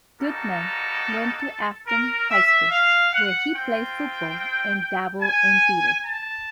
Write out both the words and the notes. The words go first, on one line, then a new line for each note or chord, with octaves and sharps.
Goodman went to Affton High School, where he played football and dabbled in theater.
G3 A#3 D#4 F#4 A4
A#4
E5
F5
F#5
C4 F4 G5
G#5
A5